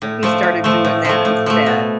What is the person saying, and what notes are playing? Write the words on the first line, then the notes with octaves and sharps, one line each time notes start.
he started doing that instead.
A2
F3 A3
A2
F3 A3
A2
F3 A3
A2
F3 A3
B2